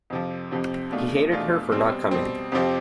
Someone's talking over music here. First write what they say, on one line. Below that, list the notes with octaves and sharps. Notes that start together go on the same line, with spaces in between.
He hated her for not coming.
F2 C3 F3
F2 C3 F3
E2 B2 A3 D4 F4
E2 B2 A3 D4 F4
B2 G3 C4
B2 G3 C4
F2 C3 F3 C4 G4